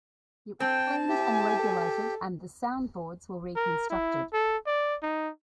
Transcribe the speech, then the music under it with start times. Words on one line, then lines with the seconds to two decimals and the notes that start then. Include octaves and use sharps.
It was cleaned and regulated and the soundboards were reconstructed.
0.60 C4 G5 A5
1.09 E4 G4
1.59 A4
3.56 A#4
3.90 E4
4.33 A4
4.67 D5
5.03 D#4